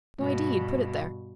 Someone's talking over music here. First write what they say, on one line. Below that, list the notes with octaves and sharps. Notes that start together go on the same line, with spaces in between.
No idea you'd put it there.
G2 B2